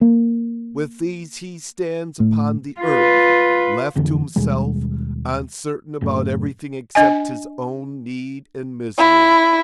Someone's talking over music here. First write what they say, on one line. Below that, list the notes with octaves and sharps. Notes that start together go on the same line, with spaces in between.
With these he stands upon the earth, left to himself, uncertain about everything except his own need and misery.
A#3
A2
F4 B4
F1 F2 D3 E3
D#2 B2 G3 G#3
F#1 F#2 A2
D4 D#5 G#5
E4